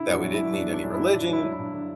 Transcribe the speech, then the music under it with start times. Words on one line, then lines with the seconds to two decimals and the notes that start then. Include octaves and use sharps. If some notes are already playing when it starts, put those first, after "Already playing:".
that we didn't need any religion,
Already playing: D3 E4
0.09 F#2 D4 F#4
0.23 F#2
0.34 F#3 E4
0.53 F#3 D4
0.69 F#3 D4
0.83 F#2
0.94 F#3 E4
1.13 G2 D4
1.28 F#3
1.33 E4
1.44 F#3
1.53 E4
1.59 G2
1.74 D3